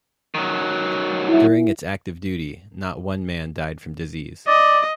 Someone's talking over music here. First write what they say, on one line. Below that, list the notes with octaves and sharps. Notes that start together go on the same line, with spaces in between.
During its active duty, not one man died from disease.
D#3 F#3
E4 E5
D5 D#5